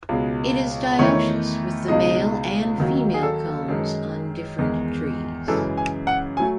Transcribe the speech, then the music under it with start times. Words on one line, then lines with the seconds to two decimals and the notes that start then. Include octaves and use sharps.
It is dioecious, with the male and female cones on different trees.
0.09 C#2 B2 G#3
0.99 E2 D#3 A3 E4 C#5
1.88 C#2 B2 G#3 D#4 D#5
2.78 D#2 D#3 F#3
3.14 G#4
3.23 A4
3.68 F#2 D#3 G#3
4.58 E2 D#3 G#3
5.47 F#2 C#3 E3 G#3 A4
5.77 G#5
6.07 F#5
6.37 F#3 A3 G#5